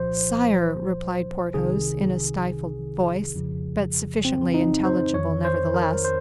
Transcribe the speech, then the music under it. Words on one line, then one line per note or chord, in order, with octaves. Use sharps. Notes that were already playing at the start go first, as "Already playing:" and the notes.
"Sire," replied Porthos, in a stifled voice, but sufficiently intelligible, nevertheless.
Already playing: C2 A#2 F3 C5
C2 C3 D#3 G#4
F2 C#3 F3
C4
D#4
C5
F2 D#3 C#5
C5
A#4
C5